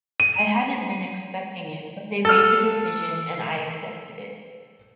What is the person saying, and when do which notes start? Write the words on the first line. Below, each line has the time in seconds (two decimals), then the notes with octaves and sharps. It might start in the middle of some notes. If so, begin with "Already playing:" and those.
I hadn't been expecting it, but they made the decision and I accepted it.
0.20 D#7
2.25 A4 F6